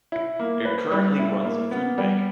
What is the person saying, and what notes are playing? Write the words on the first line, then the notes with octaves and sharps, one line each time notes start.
It currently runs a Food Bank.
E4
A#3
B4
G3
E4
A#3
B3
G3